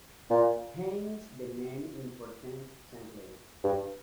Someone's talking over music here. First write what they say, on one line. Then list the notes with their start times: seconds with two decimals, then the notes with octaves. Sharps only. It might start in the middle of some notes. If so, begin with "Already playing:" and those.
Hence the name importance sampling.
0.30 A#2
3.64 G2